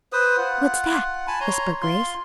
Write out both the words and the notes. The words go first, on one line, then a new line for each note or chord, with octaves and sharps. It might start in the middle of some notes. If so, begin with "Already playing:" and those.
"What's that?" whispered Grace.
B4 C5 D#6
F4 F#5
G#5 A5 B5
C#5 A#5 C6
F4 C6